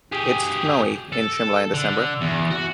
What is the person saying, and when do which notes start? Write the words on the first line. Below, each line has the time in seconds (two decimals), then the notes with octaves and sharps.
It's snowy in Shimla in December.
0.12 G4 G#4
1.12 A4
1.74 D3
2.21 E2
2.51 F#4